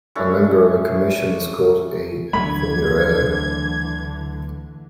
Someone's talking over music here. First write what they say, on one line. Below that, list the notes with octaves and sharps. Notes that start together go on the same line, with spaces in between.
A member of a commission is called a "foguerer".
C#4 D4 E4 A4
D2 D3 E3 F#3 A3 B5 G#6